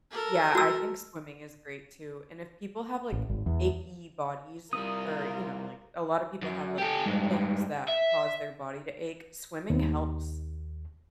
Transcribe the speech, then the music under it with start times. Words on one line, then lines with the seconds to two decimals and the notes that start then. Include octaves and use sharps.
Yeah, I think swimming is great too, and if people have, like, achy bodies or or, you know, like, a lot of people have, like, things that cause their body to ache swimming helps
0.12 A4 A#4
0.55 F#4 E6
3.12 A1
3.30 G#1
3.46 E2
4.73 C3 G3 F4 A#4 D#6
6.43 F#2
6.78 G4 A4
7.06 G2 G#3
7.88 E5
9.70 D#2